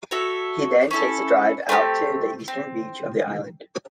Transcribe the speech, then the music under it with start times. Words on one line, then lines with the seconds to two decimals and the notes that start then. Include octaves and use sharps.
He then takes a drive out to the eastern beach of the island.
0.11 F#4 A4 C#5 E5
0.91 C#4 E4 A4
1.69 A3 C4 D#4 G4
2.48 C4